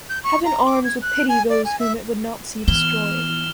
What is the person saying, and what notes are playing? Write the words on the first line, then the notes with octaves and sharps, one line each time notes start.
Heaven arms with pity those whom it would not see destroyed.
G6
C#6
A#5
D6
G#6
F#6
G#5
D5
G#5
E5
E3 B3 E6 F6 G7